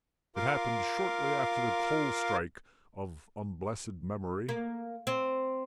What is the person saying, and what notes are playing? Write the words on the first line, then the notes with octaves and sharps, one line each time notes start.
It happened shortly after the coal strike, of unblessed memory.
F4 A#4 F5 C6 D6
A#3
C4